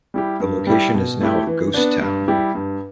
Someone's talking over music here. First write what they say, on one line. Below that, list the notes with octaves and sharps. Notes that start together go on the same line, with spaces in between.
The location is now a ghost town.
G3 E4 G4
G2
G3 E4 G4
B2
A3 E4 G4
E3
B3 D4
G2
G3 E4 G4
G2